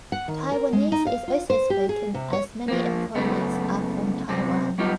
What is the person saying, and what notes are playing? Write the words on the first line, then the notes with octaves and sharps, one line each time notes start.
Taiwanese is also spoken as many employees are from Taiwan.
F#5
D#3
A#4
G#3
D#4
F5
F4
C5
G4
G#4
C3
C#5
F3 A#3
F#2 C#3 A3 B3
F#2 C3 C4
F#3 G3 B3 D#4 F4 G4